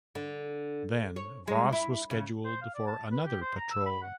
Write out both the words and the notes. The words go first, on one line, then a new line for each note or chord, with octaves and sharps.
Then Voss was scheduled for another patrol.
D3
C#5
G#3
E4
C#3
C5
F5
D5
A5
B4
G4
C5
A#5
E6
B5
F#5